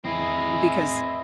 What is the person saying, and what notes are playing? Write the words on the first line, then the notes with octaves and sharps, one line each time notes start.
Mm, because,
E2 C4 E4 G#4 D#5